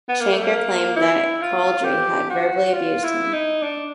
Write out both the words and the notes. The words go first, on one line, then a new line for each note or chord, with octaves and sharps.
Shankar claimed that Chaudhry had verbally abused him.
B3
A#3
A3
A#3
E4
F4
G4
F#4
F4
E4
D#4
D4